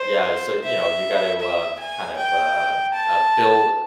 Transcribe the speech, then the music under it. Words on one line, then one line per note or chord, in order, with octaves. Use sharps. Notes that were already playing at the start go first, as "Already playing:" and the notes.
yeah, eh, so, you know, you got to kind of um, uh, build
Already playing: C5
E5
E5
G#5
G5
A5